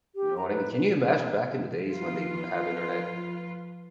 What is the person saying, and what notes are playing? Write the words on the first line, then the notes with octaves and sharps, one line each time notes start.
you know what I mean? Can you imagine back in the days when they didn't have Internet?
G4
A#5
B4
F3 F4 B4